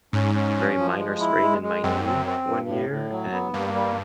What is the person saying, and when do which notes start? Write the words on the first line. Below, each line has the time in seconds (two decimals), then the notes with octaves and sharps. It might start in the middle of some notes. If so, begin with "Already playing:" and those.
a very minor sprain in my knee one year, and
0.13 G#2 C#4
0.35 C#4
0.56 F3
0.77 F3
0.98 G#3
1.20 E4
1.41 G#3
1.62 G#3
1.83 F#2 C4
2.05 C4
2.26 C4
2.47 G2
2.69 A2
2.90 A2
3.10 F#3
3.32 B3
3.53 G2 A#3
3.75 G3